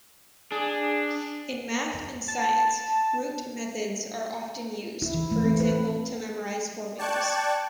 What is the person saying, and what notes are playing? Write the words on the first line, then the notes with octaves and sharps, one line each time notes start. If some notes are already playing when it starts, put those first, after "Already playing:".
In math and science, rote methods are often used, for example to memorize formulas.
D4 G#4
A5
E4
E3
A3
C4
B4
D5 G5 A5 C#6 F#6 G#6